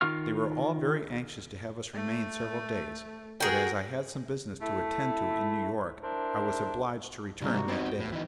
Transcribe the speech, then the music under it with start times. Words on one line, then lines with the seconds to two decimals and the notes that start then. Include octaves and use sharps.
They were all very anxious to have us remain several days, but as I had some business to attend to in New York, I was obliged to return that day.
0.01 D#3 F4 F5 C#6 F6
1.94 A3
3.40 F#4 G#4 A#4 G5
4.62 A3 E4
6.03 D4 E4 A#4 C5
7.41 C2 G2 F3 D#4
7.53 A#3 F#4
7.68 B3 C4 D#4
7.86 G5
7.99 A2
8.12 E3 D#4